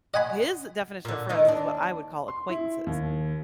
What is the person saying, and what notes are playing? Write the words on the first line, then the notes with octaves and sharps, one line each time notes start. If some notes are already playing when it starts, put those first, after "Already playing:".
His definition of friends is what I would call acquaintances.
D#5 F#5 G#5 B5
A#2 D3
D#3 E3 D#4
D#2 D4
C6
E4
D#2